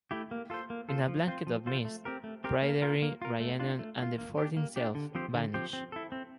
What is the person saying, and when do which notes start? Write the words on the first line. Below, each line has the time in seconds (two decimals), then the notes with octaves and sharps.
In a "blanket of mist", Pryderi, Rhiannon and the fort itself, vanish.
0.11 A3 E4 G4
0.31 A#3
0.50 F4 A4 C5
0.70 A#3
0.89 F4 A4 C5
1.08 F3
1.27 C4 F4 C5
1.47 F3
1.66 C4 F4 C5
1.85 A3
2.05 C4 G4 A#4
2.24 A3
2.44 C4 G4 A#4
2.62 A#3
2.82 F4 A#4
3.02 A#3
3.22 F4 A#4
3.40 A3
3.60 D4 F4
3.79 A3
3.98 D4
4.02 F4
4.18 A#3
4.38 D4 G4
4.57 A#3
4.76 D4 G4
4.95 D3
5.15 F3 C4 G4 C5
5.34 D3
5.54 F3 C4 G4 C5
5.73 C4
5.92 E4 A4
6.12 C4